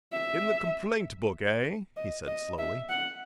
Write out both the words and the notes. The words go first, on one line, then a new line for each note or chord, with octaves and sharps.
"In the complaint-book, eh?" he said, slowly.
E5
D#5
D#5
E5
F#5